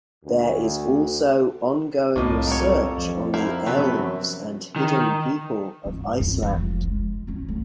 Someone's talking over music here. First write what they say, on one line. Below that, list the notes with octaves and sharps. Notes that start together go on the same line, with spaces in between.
There is also ongoing research on the elves and hidden people of Iceland.
D2
C2 F2 A2 A#3 D#5
G3 A4 A#4 C#5
F3
E4 A#4 C5
F#2 C3 A3 B3 C4 B4
D#3
G2
F2
F1 F3
G#3
F#3 C#4
D2